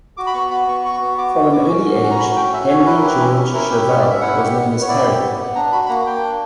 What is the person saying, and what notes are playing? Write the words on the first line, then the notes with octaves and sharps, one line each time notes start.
From an early age Henry George Chauvel was known as "Harry".
F#4 D6
B5
B3 C#6
F#4 B5
B3 C#6
F#4 C#6
B3
F#4 D6
B3
F#4 D6
C#4
F#4
C#4
A#5
F#4 B5
C#4 G5
F#4 E5
C#4 C#5
E4 B4
A#4
G4 B4
C#4
C#4
E4 A#4
G4
B4
C#4 C#5
D5
C#4
E5
E4 F#5
G4
B3
B3
C#5
E4 D5
G4
B3
B3
D4 A#5
F#4 B5
B5
A#3 A#5
A#3 G5
D4